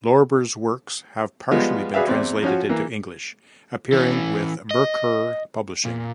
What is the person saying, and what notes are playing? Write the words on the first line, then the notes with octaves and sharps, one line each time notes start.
Lorber's works have partially been translated into English, appearing with "Merkur Publishing".
F3 G3 G#3 B3 F4
F#4 G#4 B4 D5 E5 F5
E2 C4 D5
F3 C#4 F#4
E3 A#3
E3 C#4
D#5
A#2